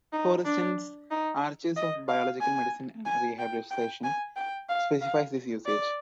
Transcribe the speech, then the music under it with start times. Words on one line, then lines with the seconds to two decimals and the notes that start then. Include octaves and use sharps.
For instance, "Archives of biological Medicine and Rehabilitation" specifies this usage.
0.13 D#4
0.45 D4
1.11 D#4
1.76 D#5
2.08 F5
2.41 G#5
3.06 G#5
3.39 G5
3.71 G5
4.03 G#5
4.36 G5
4.69 F5
5.01 F5
5.66 D5